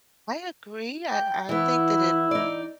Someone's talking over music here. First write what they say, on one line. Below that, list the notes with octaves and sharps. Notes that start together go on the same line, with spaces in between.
I agree I I think that it
G5
E3 B3 E4
D#4 D5